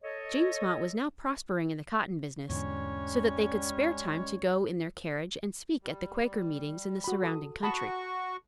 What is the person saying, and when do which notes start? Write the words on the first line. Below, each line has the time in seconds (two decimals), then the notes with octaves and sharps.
James Mott was now prospering in the cotton business, so that they could spare time to go in their carriage and speak at the Quaker meetings in the surrounding country.
0.03 A4 C#5 D#5
2.50 E2 G#2 D3 G3 G#3 C#4 C#5
5.83 G3
7.04 F#4 B5
7.23 A4 D#6
7.63 F#4 A5 B5 C#6 D#6